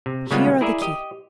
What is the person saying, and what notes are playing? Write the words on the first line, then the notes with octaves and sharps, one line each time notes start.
Here are the keys.
C3
C#3 G3 G#3 A#3 B3 F4
E4 G#4 A#4 D5 E5
G4 D#5